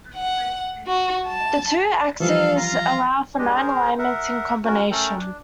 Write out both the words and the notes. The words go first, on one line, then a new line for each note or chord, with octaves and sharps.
The two axes allow for nine alignments in combination.
F#5
F#4
A5
E3 F3 G3 A4 F5
F4 F5 A#5
G#3 D4 G4 D#5
G#4 A#4 C5 A#5
A#4 E5 F#5
C#4 F#4 A#4
A3 C#4 A4 A#4 G5
D4